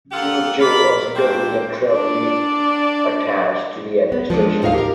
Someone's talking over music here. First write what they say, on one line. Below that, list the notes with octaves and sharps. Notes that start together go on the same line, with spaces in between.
Yrujo was doubly and trebly attached to the Administration.
A#3 F4 G4 A4 F#5
A#4 D5 F5 B5
G#2 A#3 C4 D4 C5
D4 D5
B3
F3 G#3 A#3 D4
D#2 A2 D#4 A#4 F5
G4 A#4